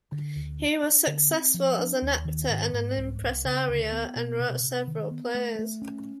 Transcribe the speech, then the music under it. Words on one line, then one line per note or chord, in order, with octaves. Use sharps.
He was successful as an actor and as an impresario, and wrote several plays.
D3
D2
D4
D4
D3
C4
F3
D4
D#2
D#3
G#2
G#2
C2
C2
C#3
D2
B3
B2
C3
C3
D#3
B3
A3
A3
C#4